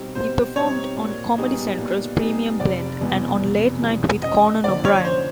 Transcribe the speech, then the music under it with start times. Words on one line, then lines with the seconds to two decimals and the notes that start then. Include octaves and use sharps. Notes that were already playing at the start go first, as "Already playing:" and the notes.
He performed on Comedy Central's "Premium Blend" and on "Late Night with Conan O'Brien".
Already playing: B2 G3 C4 D#4
0.15 B2 C5
0.56 G3 C4 D#4 C#5
0.96 A#2
1.38 G3 B3 D#4 G#4
1.78 A#2
2.19 G3 B3 D#4 G#4
2.60 F1 D5
3.01 E2 B2 G#3 B3
3.42 F1
3.82 E2 B2 G#3 B3
4.22 F#2 D#5
4.64 D3 F3 A#3 D#4 D5
4.85 C#5
5.05 F#2 C5